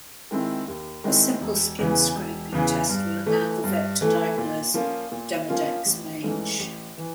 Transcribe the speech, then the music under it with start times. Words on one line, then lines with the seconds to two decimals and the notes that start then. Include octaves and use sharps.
A simple skin scraping test will allow the vet to diagnose demodex mange.
0.31 D#3 G#3 C4 E4
0.68 D#2
1.04 D#3 G#3 C4 E4
1.41 E1
1.79 E2 C#3 E3
2.15 E1
2.52 E2 C#3 E3
2.89 G2
3.26 E3 A3
3.64 G2
4.01 E3 A3
4.38 A#2
4.74 F3 A#3 C#4 F4
5.12 A#2
5.49 F3 A#3 C#4 F4
5.86 A1
6.22 G#2 E3 A3 C#4
6.59 A1
6.98 E3